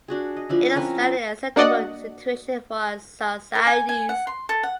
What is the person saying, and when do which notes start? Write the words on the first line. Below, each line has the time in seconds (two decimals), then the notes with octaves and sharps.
It is not an acceptable situation for our societies"".
0.08 D4 F#4 G#4
0.36 D#5
0.49 F3 D4 E4
0.76 C4 C#4 A#4 B4
1.56 A#3 D4 F#4 D5 D#5 F#5
3.55 A#4
3.67 G#5
3.89 G#5
4.09 F#5
4.27 C6
4.49 A4
4.63 F#5